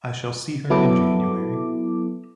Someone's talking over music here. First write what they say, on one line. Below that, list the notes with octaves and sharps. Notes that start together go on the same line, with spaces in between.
I shall see her in January.
F#3 B3 E4 A4 D6